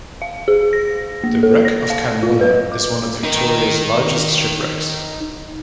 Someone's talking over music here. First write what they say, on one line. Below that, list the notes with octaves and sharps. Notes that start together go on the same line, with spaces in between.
The wreck of "Kanwona" is one of Victoria's largest shipwrecks.
F5
G#4
A#6
A#3
A4
A#6
F5
F4
B4
D6
D#4 A#4